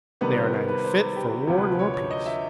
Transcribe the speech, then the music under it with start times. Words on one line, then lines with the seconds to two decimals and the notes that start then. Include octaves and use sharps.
They are neither fit for war nor peace!
0.21 C3 D#3 G3 B3 B4
0.36 C5
0.52 A#4
0.68 B4
0.84 C5
1.16 G4
1.31 F#4
1.47 D2 C3 F3 G4
1.57 B4
1.79 C#5
1.94 C#5
2.11 D#5
2.26 E5